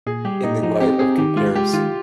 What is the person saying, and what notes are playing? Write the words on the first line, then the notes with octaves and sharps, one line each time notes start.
in the light of comparison,
A#2 G#4
G3 G4
A#2 D#4
F3 D#4
C4 G4
C4 G#4
D#3 G4
G#3 F4
G#3 G4
D#3 F4